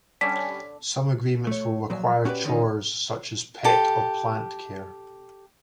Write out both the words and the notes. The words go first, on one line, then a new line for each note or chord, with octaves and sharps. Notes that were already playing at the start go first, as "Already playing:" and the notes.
Some agreements will require chores such as pet or plant care.
D3 G3 C#4 B6
A3 C#5
A#2 F3 F#3
C#4 F#4 G4 A#4 B4 D5
D3 D#3 C#4 D#4
G4 A4